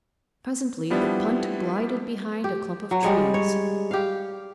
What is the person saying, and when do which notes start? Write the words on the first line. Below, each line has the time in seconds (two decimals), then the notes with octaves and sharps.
Presently the punt glided behind a clump of trees.
0.90 F3 G3 B3 D4 E4
2.44 G4
2.91 F#3
3.02 G3 G#3 C#5
3.34 C#5
3.91 G4 F5